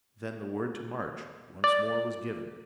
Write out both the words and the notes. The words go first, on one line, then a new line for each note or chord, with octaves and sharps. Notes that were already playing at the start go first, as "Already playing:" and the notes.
Then the word to march once more was given.
D5